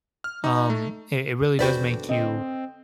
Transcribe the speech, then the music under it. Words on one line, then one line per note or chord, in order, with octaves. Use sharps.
um, it it really does make you
F6
D#4
A3
E2 D3 F#4 B4 C5 D5 G5
C4 D#5